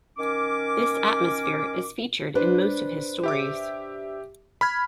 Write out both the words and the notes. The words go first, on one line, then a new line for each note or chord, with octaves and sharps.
This atmosphere is featured in most of his stories.
D#3 C#4 A#4 D6
D4 B4 C5
G4 E5 D6
B5 F6 G#6